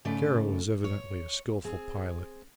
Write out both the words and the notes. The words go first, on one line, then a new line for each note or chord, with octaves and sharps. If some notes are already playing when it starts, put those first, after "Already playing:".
Kara was evidently a skilful pilot.
G#2 C#3 A3 D5
C#5
C4 G#4